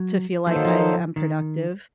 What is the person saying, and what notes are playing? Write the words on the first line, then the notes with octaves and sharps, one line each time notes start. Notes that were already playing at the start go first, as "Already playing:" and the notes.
to feel like I am productive,
Already playing: F#3
F3 F#3 A#3 D#4 A4 C5
D#3
F3
D#3